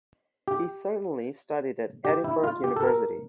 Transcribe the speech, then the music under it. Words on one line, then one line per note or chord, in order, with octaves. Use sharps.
He certainly studied at Edinburgh University.
G4
G4
E4
F4
G4
A4
A#4